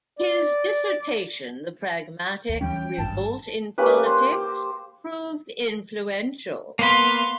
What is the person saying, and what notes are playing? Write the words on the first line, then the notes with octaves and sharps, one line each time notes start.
His dissertation "The Pragmatic Revolt in Politics" proved influential.
D5
D#2
E3 G3 C#4 G5
G#1 G2 A5
A#3 C#4 G4 B4
C5
G4
A#3 B3 F5 B5 C6